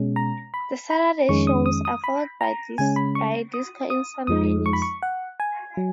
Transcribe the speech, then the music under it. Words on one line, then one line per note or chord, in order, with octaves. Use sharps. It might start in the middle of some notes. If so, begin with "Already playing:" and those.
The Saturday shows are followed by a disco in some venues.
Already playing: B2 G#3 C#4
A#5
B5
B5
F2 D#3 G#3 C#4 C#6
D#6
D#6
D#6
B5
A#5
C#3 G#3 C#4 G#5
B5
C#6
D#6
D#6
F2 F3 G#3 D#4 D#6
C#6
B5
C#6
F#5
G#5
F#3